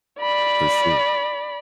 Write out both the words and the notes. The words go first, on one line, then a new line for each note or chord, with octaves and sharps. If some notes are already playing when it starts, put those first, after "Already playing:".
For sure.
D5 B5